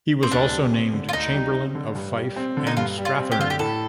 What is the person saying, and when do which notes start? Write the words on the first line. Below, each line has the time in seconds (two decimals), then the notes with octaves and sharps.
He was also named chamberlain of Fife and Strathearn.
0.23 C4
0.31 D2 D4
0.52 G3
0.73 C4
0.93 D3
1.09 F4
1.13 D2 D#4
1.34 G3
1.55 C4
1.75 D3
1.95 G2
2.16 G3
2.36 C4
2.57 D3
2.67 D#4
2.77 G2 F4
2.98 G3
3.05 F4
3.18 C4
3.32 G4
3.39 D3 F4
3.50 G4
3.59 A2 A4